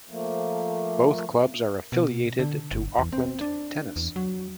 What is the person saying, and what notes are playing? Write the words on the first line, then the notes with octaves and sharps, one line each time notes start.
Both clubs are affiliated to Auckland Tennis.
F3 A3 A#3
B2
D3
G1
E2
C4
D4
E2
F#3